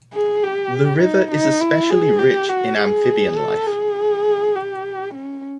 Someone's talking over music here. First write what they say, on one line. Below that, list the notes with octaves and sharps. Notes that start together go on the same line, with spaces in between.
The river is especially rich in amphibian life.
G#4
G4
D#4
D#4
E4
G#4
G4
F#4
G#4
A4
G#4
G4
C#4